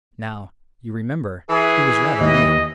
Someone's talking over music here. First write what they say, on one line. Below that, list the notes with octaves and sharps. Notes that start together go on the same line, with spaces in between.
Now, you remember, he was rather mean.
E3 G#4
D#2 D#5